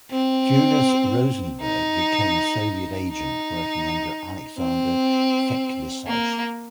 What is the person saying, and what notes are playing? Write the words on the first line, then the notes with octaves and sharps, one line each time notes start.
Julius Rosenberg became a Soviet agent working under Alexander Feklissov.
C4
D#4
D#4
C4
A#3